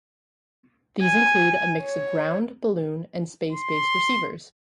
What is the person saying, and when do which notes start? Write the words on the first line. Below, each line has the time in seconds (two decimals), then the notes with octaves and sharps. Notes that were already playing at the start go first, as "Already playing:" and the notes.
These include a mix of ground-, balloon- and space-based receivers.
1.02 G#5
1.82 C#5
3.52 C6